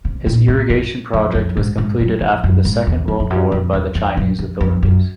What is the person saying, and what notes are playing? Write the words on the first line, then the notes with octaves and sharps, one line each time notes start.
His irrigation project was completed after the Second World War by the Chinese authorities.
C3
A#2
A2
G2
F2
F2
G#2
G#2
F#2
F2
F#2
G#2
E2
F2
F2
F#2
F2
E2
F2
F#2
F2
F2
F#2